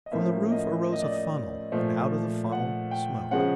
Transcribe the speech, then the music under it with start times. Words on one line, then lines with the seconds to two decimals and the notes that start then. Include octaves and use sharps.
From the roof arose a funnel, and out of the funnel smoke.
0.06 D#5
0.11 A2 F3 A#3 C#4 E4 E5
0.52 D#5
0.92 D#5
1.02 D5
1.12 D#5
1.72 A#2 F3 A3
2.52 F#5
2.91 G5
3.31 C#3 F3 G#3 C#4 F#5